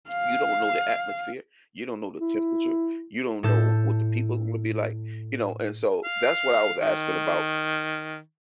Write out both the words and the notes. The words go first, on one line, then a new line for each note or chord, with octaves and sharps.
you don't know the atmosphere, you don't know the temperature, you don't know what the people are gonna be like, you know? And so that's what I was asking about,
F5
E4
A2 A4 G6
F5
D#3